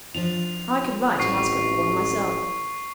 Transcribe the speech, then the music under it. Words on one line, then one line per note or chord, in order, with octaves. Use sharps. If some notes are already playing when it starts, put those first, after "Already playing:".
"I could write and ask her for one myself."
F3 D4 F4 F7
A1 C4 F#4 C#6 C7